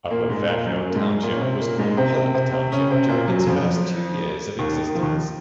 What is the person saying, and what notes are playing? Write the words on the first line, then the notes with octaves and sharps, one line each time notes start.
Upper Fairfield Township was called Pollock Township during its first two years of existence.
A#2 A#3
G#2 G#3
A#2 A#3
F#2 F#3
A#3
G#2 G#3
A#2 A#3
C#4
C3 C4
A#2 A#3
G#2 G#3
C3 C4
C3 C4
C3 C4
C3 C4
C#3 C#4
C3 C4
A#2 A#3
F#2 F#3
F#3
F2 F3
D#2 D#3
D#3
F3
D#2 D#3